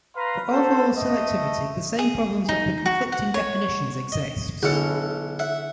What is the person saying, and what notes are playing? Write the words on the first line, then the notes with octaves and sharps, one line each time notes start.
For overall selectivity the same problem of the conflicting definitions exists.
B4 F5 A#5 C6
F#4 A4 C5
A3 D#5
G#4
D#4
F#4
F#5
C#5
D#5
B1 D3 E4 F#4 G#4 A4 F6 F#6
E5 F#5